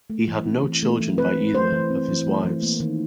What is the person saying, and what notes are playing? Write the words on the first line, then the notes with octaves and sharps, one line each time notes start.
He had no children by either of his wives.
A3
E3
C4
E3
A3
E3
C4 B4
E3
A3 C5
E3
C4
E3
A3
E3
A#3
D#3